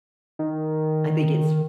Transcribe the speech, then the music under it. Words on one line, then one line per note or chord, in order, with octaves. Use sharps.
I think it's
D#3